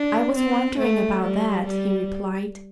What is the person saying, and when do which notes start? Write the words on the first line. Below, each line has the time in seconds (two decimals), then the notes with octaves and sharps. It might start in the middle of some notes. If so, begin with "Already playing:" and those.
"I was wondering about that," he replied.
Already playing: D4
0.35 C4
0.78 A3
1.22 G3
1.65 G3